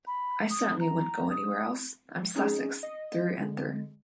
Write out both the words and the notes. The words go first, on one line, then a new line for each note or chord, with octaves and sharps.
I certainly wouldn't go anywhere else - I'm Sussex through and through.
B5
D#6
A#5
D#6
C#4 D#4 G#4
D#5
D3 G#3